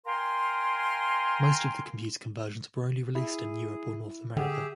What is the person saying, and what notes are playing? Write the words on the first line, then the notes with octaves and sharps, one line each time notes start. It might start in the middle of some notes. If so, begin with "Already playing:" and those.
Most of the computer conversions were only released in Europe or North America.
A#4 F5 G5 G#5 A#5 C6
E4 G#4
D3 G4 G#4 E5 F#5 G5